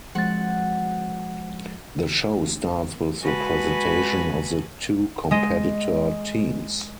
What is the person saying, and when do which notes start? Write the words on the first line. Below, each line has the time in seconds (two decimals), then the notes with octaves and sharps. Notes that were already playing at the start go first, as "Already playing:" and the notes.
The show starts with the presentation of the two competitor teams.
0.15 F3 G#3 C4 F#4 F#5 A6
3.22 G#3 F#4 B4 G#5 A5 B5
5.31 G#3 D#5